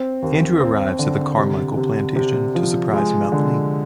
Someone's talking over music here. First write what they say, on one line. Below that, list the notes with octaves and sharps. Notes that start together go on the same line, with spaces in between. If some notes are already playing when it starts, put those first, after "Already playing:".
Andrew arrives at the Carmichael Plantation to surprise Melanie.
Already playing: C4
D#2
C4
D3
C3
C3
C3
F3
G#3
D3